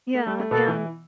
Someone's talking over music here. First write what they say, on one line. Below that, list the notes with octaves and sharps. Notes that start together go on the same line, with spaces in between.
Yeah, and
A3
G3
A3
B2 B3 A4
E3 E4